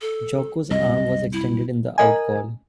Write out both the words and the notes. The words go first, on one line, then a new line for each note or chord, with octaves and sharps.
Jocko's arm was extended in the out call.
A4
C2 F#2 D#5
E4
A#4 D#5 G#5